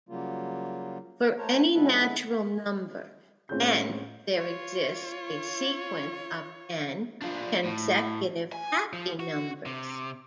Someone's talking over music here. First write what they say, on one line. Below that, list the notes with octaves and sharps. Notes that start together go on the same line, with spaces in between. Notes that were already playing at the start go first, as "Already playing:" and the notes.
For any natural number "n", there exists a sequence of "n" consecutive happy numbers.
C#3 F#3 G3 A#3 F4
A3 C5 C#5 A5 A#5
D3 G#3 B3 E4 A4 B4
A2 C4 C#4 F4 G#4 G6
F4 C#5
D4 F4
A2
G#5
F3
F#4
C3